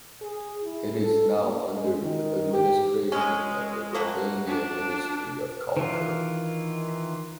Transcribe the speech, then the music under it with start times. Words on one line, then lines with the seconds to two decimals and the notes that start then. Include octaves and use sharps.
It is now under the administration of the Romanian Ministry of Culture.
0.21 G#4
0.63 E4
1.02 A4
1.40 A#3
1.73 G#3
2.02 D#3
2.53 G4
3.12 G#3 C#4
3.94 A3 A#3 F#4
4.46 D4
5.77 D#3 E3 F4